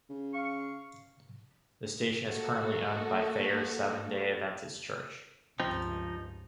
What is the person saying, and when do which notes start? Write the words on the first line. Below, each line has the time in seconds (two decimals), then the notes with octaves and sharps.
The station is currently owned by Thayer Seventh-day Adventist Church.
0.10 C#3
0.34 F5 C#6
2.25 A#3 F#4 A4
5.60 C#2 G2 F3 C4 D#4